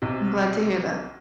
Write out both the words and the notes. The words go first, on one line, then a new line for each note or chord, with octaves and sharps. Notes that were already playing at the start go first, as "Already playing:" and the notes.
I'm glad to hear that.
B1 C3